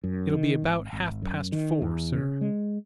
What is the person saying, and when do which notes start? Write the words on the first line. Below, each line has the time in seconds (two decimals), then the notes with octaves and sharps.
"It'll be about half-past four, sir."
0.04 F#2
0.32 D#3
0.62 G#1
0.93 G#1
1.22 F#2
1.52 D#3
1.82 E2
2.12 C#3
2.41 G#3